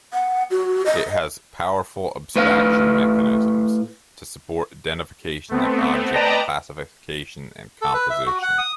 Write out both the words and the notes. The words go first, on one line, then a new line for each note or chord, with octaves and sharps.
It has powerful abstraction mechanisms to support identification of objects, classification and composition.
F#5
F#4
D#5
A2 B4 F5
A3 B3 C4
B4 D5 D#5 G5 A5 A#5
A4
B4
E5
F#4
F#5
D#6